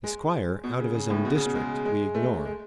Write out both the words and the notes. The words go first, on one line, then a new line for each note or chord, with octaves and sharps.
The Squire, out of his own district, we ignore.
G#3
B2
C#3
C#3
A2
B2
C#3
B2
G#3
G#3
A3
G#3